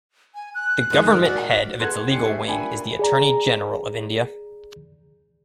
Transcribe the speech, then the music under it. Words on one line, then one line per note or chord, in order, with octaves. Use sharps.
The government head of its legal wing is the Attorney General of India.
G#5
F#6
F#2 D#3 G#3
A#4
F#4 D5
E2 A4 F#5 C6 F#6 G#6
D4 G4 G#5 C7 C#7
A3 E5
A#2 D4 G5 G#5 B5
G#4 D5 A#5